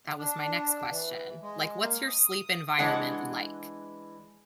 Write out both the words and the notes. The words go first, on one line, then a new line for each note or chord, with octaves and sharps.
That was my next question. Like, what's your sleep environment like?
D4
E3
G#3
A#3
D#6
E3 G#3 D4 F#5